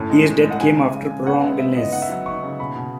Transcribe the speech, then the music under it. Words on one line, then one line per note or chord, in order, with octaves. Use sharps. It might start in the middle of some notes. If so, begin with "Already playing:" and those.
His death came after a prolonged illness.
Already playing: A2 C#4 A5
G#3
G#3
G#3
F#5
C#3 G#5
C#3
C#3
C#3
B3 F#5
G#3 E5
C#3 E5
B3 D#5
D#4 F#5
E5
F#3 F#5
D#4 C#6
C#3
B2 B5
B2